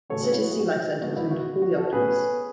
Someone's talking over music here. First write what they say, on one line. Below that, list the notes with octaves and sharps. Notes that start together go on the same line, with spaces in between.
The city's Sea Life Centre was home to Paul the Octopus.
C#3 F#3 A3 C#4 A4 C#5
G#4 B4
E4
F#4
G#4
F#4
D3 G#3 B3 F#4
E4
F#4
F#4
F#4 A4
B2 A3 C#4 G#4 B4